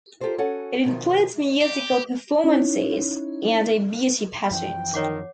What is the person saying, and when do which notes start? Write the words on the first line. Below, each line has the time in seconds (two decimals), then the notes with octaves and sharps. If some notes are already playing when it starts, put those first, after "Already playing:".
It includes musical performances and a beauty pageant.
0.21 F4 G4 A4 A#4 C5 E5
0.38 C#4 F#4 A4 F#5 G#5
0.85 B2 D#3 F3
1.61 G4
2.44 C#4 D#4 E4 C#5
4.51 F#2 E3 F3 G5
4.94 D#3 C#5 F#5 D6